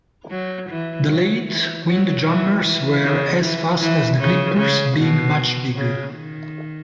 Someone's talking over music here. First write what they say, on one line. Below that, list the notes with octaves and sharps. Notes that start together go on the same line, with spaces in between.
The late windjammers were as fast as the clippers, being much bigger.
F#3
E3
F#3
E3
F#3
E3
E3
C#3
E3
E3
C#3
C#3
B2
C#3
D#3